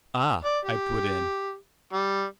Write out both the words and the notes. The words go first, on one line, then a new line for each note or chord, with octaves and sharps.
"Ah!" I put in.
D5
G4
G3